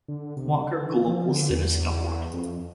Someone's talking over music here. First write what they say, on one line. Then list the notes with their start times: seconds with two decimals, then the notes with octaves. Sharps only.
Walker Global Citizen Award.
0.08 D3
0.36 C3
0.65 D3
0.85 E3
1.07 F3
1.29 D3
1.50 E2
2.34 F2